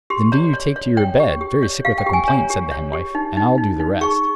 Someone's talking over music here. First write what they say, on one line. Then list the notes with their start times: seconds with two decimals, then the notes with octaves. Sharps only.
"Then do you take to your bed, very sick with a complaint," said the Hen-Wife, "and I'll do the rest."
0.10 G4 C6
0.32 C#5 A#5
0.53 C#5
0.76 C#5
0.97 C#5 G5
1.20 G4
1.41 G4
1.63 C#5
1.85 G4 F5
1.98 G5
2.06 G4
2.13 G#5
2.28 C#5 A#5
2.50 G4
2.71 C#5
2.93 G4
3.15 D#4
3.37 D#4
3.58 D#4
3.80 D#4
4.01 G#4 C#6